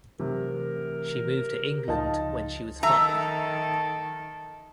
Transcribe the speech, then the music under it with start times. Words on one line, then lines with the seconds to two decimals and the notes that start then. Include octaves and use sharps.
She moved to England when she was five.
0.20 C3 E3 F#3 A3 A#4
1.88 C#2 F3 D#4 F4 A5
2.83 D#3 A4 E5 A#5